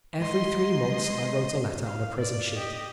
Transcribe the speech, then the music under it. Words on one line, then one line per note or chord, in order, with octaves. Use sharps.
Every three months I wrote a letter on a prison sheet.
G#2 D#5 C6
F5
D5
G4 D#5